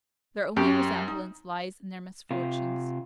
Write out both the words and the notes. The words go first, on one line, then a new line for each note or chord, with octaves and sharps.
Their only resemblance lies in their misfortunes.
F#2 C#4 G4
D#4
C3 F4